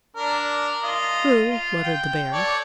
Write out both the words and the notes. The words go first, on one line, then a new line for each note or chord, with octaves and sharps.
"True," muttered the Bear.
D4 A#4
F4 D#5
F4
G5
A4 C#5 D5